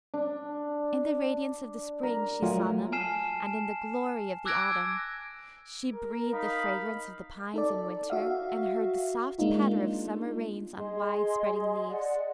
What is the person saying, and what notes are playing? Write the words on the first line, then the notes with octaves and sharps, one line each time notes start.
In the radiance of the spring, she saw them, and in the glory of the autumn; she breathed the fragrance of the pines in winter and heard the soft patter of summer rains on widespreading leaves.
D4
A#4
F#3 A3 F4 A#4 F#5 G#5
G#5 A5 F6 C7 E7
D6 E6 F#6 G#6 A#6 D7
A#4
D#4 F5 B5
D#4 A4 D5
F#4 E5 F5
G#3 A#3 D4 D#4 F4
G#4 D#5 C6
D5 D#5 F#5